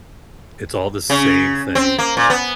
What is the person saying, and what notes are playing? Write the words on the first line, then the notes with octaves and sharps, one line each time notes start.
It's all the same thing.
C#3
C4
A#3
A#2
B3